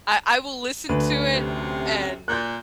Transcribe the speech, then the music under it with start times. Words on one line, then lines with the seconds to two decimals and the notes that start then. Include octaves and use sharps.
I I will listen to it and,
0.89 D2 B4
1.33 F#2 C3
2.28 A#2 F#6 G6